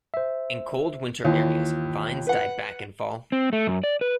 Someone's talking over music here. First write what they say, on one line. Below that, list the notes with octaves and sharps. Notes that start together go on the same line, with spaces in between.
In cold winter areas, vines die back in fall.
C5 E5
D#2 E3 E4 F4
B4 F#5
C4
A3
F#2
D5
B4